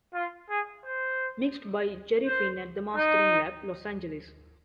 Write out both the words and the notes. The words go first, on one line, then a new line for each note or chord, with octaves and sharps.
Mixed by Jerry Finn at The Mastering Lab, Los Angeles.
F4
G#4
C5
C5
D#4